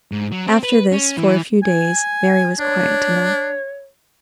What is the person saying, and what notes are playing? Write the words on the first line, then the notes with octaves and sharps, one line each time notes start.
After this, for a few days, Mary was quiet enough.
G#2
F#3
C4
B4
C#4
E3
G#5
D4 C#5